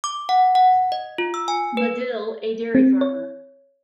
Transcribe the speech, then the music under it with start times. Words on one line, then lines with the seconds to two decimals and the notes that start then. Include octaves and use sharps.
Madill, a dairy farmer.
0.04 D6
0.29 F#5
0.55 F#5
0.92 D#5
1.18 F4
1.34 E6
1.48 G#5
1.77 B4
2.75 C4
3.01 C#5